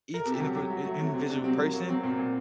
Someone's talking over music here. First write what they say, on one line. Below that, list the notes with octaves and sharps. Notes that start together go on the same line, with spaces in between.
each indivd in individual person,
A#4
C3 A4
G4
F#3 A4
F#3 G4
F#3
F#3 A3
C3 A3
C3 C4
C3 D4
F#3 C4
F#3 A#3
F#3 A#3
F#3 C4
A#2 C4
A#2